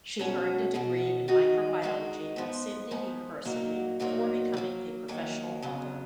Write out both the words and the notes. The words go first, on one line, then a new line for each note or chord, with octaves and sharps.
She earned a degree in microbiology at Sydney University before becoming a professional author.
B2 F#3 C#4 F#4
B2 F#3 C#4 F#4
D#3 G#3 D#4 F#4
D#3 G#3 D#4 F#4
G#2 F3 B3
G#2 F3 B3
A#2 F#3 A#3 D#4 F#4
A#2 F#3 A#3 D#4 F#4
D#3
F#3 A#3
D#3 F#3 A#3
F2 C#3 F#3 B3